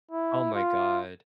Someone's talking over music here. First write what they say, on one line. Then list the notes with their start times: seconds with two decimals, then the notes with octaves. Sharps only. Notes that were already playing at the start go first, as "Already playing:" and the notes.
Oh my god.
0.11 E4
0.55 F4